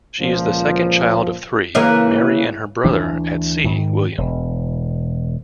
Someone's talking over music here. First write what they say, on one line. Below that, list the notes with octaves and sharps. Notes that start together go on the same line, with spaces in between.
She is the second child of three, Mary and her brother at sea, William.
C#2 A#2 F3
C#3 E3 A#3
D2 E3 D4
G#2 D#3
E1